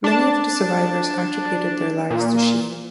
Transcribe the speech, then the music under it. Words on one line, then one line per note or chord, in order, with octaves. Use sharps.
Many of the survivors attributed their lives to Sheean.
D4 A5
A#2